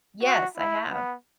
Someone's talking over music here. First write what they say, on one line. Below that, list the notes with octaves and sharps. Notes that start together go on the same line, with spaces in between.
Yes, I have.
F#4
E4
B3